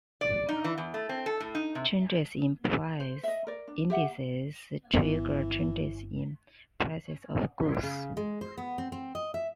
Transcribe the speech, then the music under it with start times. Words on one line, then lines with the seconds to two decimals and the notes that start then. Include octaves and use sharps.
Changes in price indices trigger changes in prices of goods.
0.21 D5
0.49 D#4
0.64 E3
0.78 E2
0.94 A3
1.09 C4
1.26 A4
1.40 A2
1.55 D#4
1.75 C3
2.72 A5
3.00 C5
3.23 D#5 E5
3.47 A#4 D5
3.68 D4
3.90 G4 E5 F#5
4.94 G1 E3 B3
7.83 C#3
8.17 G#3
8.41 C5
8.58 B3
8.78 C4
8.92 C4
9.15 D#5
9.34 E5